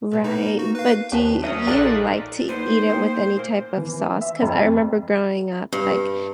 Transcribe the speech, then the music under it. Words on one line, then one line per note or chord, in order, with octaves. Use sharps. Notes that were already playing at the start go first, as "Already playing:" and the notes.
Right, but do you like to eat it with any type of sauce, 'cause I remember growing up, like,
B2 G3 B3
A#3 B3 D#4
F#4
B4 F5
D#2 C4 B4 A5
F#3 C#4 E5 D#6
A#1 G#3 D4 D#4 F4 A4 D5 F#6
A#3 D#4 B4 C5
A#3 G5
A#2 A#3
E3
E5
F2
G2